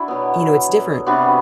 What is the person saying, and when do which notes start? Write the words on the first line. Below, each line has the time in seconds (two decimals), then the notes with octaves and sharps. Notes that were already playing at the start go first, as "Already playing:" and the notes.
you know, it's different
Already playing: D4 E4 F#4
0.08 B2 F#3 B3
1.06 C3 G3 B3 D4 F#4